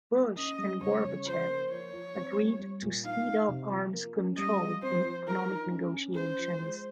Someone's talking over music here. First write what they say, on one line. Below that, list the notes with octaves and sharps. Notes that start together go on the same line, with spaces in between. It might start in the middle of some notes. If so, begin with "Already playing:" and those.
Bush and Gorbachev agreed to speed up arms control and economic negotiations.
A#3
C#4 D#5
G3
C#3 C#5
C#3
F3 C5
A#3
F3 C#5
F3
C4
G3
G3
A#2
D#4 F5
D#4
C3
F3
A#3
C#4
G3 D#5
F4
C4 C5
F3
F3 A#4
D#4
C#4
C#4
C#4 C5
F3
G#3